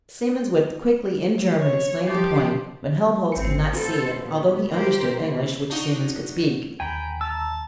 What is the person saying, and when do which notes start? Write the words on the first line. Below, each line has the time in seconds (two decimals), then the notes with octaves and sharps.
Siemens would quickly, in German, explain the point, but Helmholtz could not see it, although he understood English, which Siemens could speak.
1.59 C#5
2.05 F3 G4
3.32 G#1 A2 C4 C#7
3.74 F4 F#4 A4 B4 C5
4.19 A#2 B3
4.72 G4 A#4 C5
5.19 E3 A#3
5.70 D4 D#4 F#4
6.80 D1 D#2 G5 G#5 A#5 B5
7.21 A5 A#5 E6